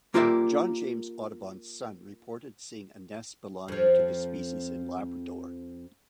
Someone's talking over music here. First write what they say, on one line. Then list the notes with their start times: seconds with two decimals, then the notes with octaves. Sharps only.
John James Audubon's son reported seeing a nest belonging to the species in Labrador.
0.14 A#3 F4 G4 A#4 D5 E5
3.68 F2 F3